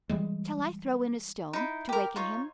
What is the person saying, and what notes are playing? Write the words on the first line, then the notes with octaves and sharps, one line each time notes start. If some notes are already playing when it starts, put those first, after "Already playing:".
"Shall I throw in a stone, to waken him?"
E3 G3 G#3
D#4 E4
G4 A#4
D#4 F4 C#5